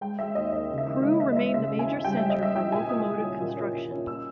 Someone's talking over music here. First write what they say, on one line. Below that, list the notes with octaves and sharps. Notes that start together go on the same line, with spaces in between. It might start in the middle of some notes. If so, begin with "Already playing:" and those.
Crewe remained the major centre for locomotive construction.
G#3 G5
G#3 E5
D#2 D#5
D#2 D#5
C#3
E5
E3
G#3 D#5
E3 E5
D#5
G#3 E5
C#3 E5
C#3
G#5
E3
G3 G5
E5
G3
D#5
G3 E5
E4 G5
A#2 G#5
E4 D#6
E4
C#4
A#2
C#4
A#2
C#4
E6